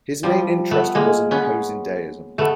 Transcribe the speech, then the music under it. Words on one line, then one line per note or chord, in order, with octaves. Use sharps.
His main interest was in opposing deism.
F3 G3
A3 B3
G#3 A#3
B3 C#4
A3 B3